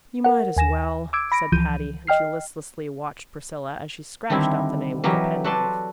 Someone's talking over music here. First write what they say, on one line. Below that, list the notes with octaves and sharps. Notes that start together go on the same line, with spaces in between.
"You might as well," said Patty, and she listlessly watched Priscilla as she scratched out the name with a penknife.
A#4 F#5
D#2 G#5 A#6 E7
D6 E6 G#6 D7
B5 A#6 D7
C#2 E3 F3 G6 D#7
D#5 G5 F6 C7
D3 D#3 G3 C4 E4
E3 F#3 G4 A#4 D#5
F#4 A4 B4 D5 A5 C6